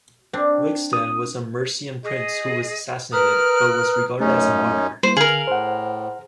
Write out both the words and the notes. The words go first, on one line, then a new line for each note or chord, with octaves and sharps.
Wigstan was a Mercian prince who was assassinated, but was regarded as a Martyr.
C4 D4
D#6
G#4 D#5
A#4 B4 A#5 D#6 F6 F#6
F#2 A3 C#4 D#4 C#5
G3 A#3 E4 C5
D3 G#4 A#4 F5
A2 C5 F#5